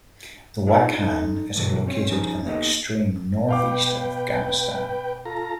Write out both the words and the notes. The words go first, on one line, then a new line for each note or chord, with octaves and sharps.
The Wakhan is located in the extreme north-east of Afghanistan.
D4 D#4 F4 G#4 D5 E5
D#4 A4
G2 B2 D3 E3 F#3
C4 C#4 C#5
F3 C#4 D#4 G#4 C5
A#3 B3 D#4 G4 A4 D#5
B2 B4 F5 G5 D6
F4 A4 A#5